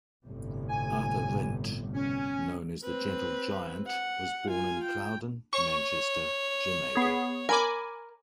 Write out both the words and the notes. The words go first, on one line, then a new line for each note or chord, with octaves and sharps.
Arthur Wint, known as the "Gentle Giant", was born in Plowden, Manchester, Jamaica.
G1 A2 C3
G#5
C#4
C4 B4
F#5
F4 G#5
G5
C#5 C#6
B3 G#4
A#4 G#5 B5 D6